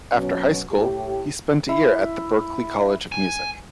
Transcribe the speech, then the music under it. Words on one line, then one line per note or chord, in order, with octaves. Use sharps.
After high school, he spent a year at the Berklee College of Music.
B2 F#3 C#4
A2 G4
E4
G#5